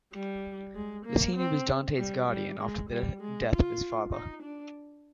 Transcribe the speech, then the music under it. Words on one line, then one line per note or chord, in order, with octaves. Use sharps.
Latini was Dante's guardian after the death of his father.
G3
G#3
A#3
C4
G3
G3
G#3
G3
G#3
F4
D#4
D4